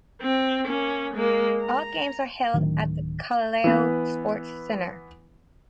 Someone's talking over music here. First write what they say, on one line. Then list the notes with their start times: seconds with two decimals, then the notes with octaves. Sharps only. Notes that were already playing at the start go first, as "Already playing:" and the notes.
All games are held at the Callao Sports Center.
0.22 C4
0.67 A#3 C#4
1.13 G#3 A#3
1.62 A#5
2.54 D1 D2 D#3
3.64 E3 B3